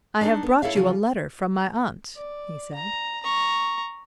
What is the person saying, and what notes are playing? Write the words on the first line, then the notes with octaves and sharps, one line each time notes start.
"I have brought you a letter from my aunt," he said.
D4 D#4 A4
B3
E4 A4 C#5 E5 F5
C#3 F3 F4
D5
A#5
A#5 C#6